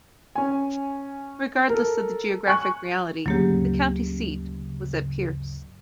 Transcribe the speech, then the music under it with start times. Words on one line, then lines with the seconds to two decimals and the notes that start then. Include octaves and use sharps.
Regardless of the geographic reality, the county seat was at Pierce.
0.35 C#4 G#5
1.70 A4 A#4
2.47 G#5 C#6 F#6
3.26 D2 G2 C#3 F#3 A#3 G4